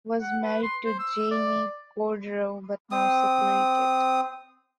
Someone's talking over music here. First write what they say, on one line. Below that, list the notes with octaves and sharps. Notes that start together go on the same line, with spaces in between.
Was married to Jaime Cordero but now separated.
F#5
B4
C6
C5
E6
D5
C4 D#6